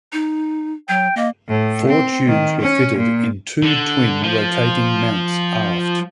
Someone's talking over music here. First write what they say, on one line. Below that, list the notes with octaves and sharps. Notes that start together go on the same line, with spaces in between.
Four tubes were fitted in two twin rotating mounts aft.
D#4
F#3 G5
A#3 D#5
A2
C4
D#3
C#4
A#2
D3
F3